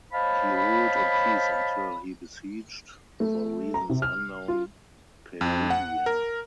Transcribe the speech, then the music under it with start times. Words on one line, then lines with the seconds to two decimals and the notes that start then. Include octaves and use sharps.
He ruled in peace until he besieged, for reasons unknown, Perugia.
0.13 C5 C#5 D#5 F5 A5 B5
3.20 A3
3.74 A#5
3.90 C3
4.02 F6
4.48 F4
5.41 F2
5.70 F#5
6.06 A#4